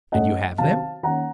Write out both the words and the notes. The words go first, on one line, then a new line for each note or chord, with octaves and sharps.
"And you have them?"
A2 A3 C#4 D#5 F#5
C3 D#3 F#3 C4 F5 A5
D#3 A#3 C#4 F#5 A#5